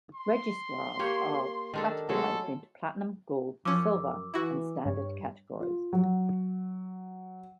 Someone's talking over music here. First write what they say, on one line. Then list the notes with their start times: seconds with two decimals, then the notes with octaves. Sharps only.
Registrars are categorized into Platinum, Gold, Silver and Standard categories.
0.15 C6
0.99 A#3 G4 C#5
1.74 D#3 D4 A4
2.09 F#3 G#3 A3 A4
3.65 F#2 F3 C#4 D6 E6
4.34 E3 E4 F#4
4.85 G2 G3 C#5
5.60 F4
5.93 F#3